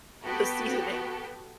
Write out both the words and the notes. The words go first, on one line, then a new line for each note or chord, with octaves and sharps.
the seasoning.
B3 F#4 G4 A4